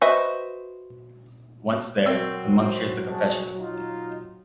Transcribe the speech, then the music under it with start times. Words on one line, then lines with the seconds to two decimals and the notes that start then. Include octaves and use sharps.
Once there, the monk hears the confession.
0.01 F#4 B4 C5 D#5 E5
2.06 F#3 C4 F#4 A#4 C5 E6
3.09 F#4 G#4 A5
3.58 D#4 F4